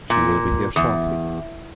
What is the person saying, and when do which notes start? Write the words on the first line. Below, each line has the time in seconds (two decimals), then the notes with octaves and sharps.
She will be here shortly.
0.10 A#2
0.76 E2